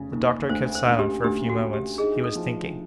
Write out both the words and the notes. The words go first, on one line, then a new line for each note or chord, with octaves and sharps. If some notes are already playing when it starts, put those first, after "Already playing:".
The doctor kept silent for a few moments; he was thinking.
Already playing: F1 C#3
D#2
D2 C5
C5
D2
G4
D2 G4
F#4
D2
G4
D#4 G#4
A4
F3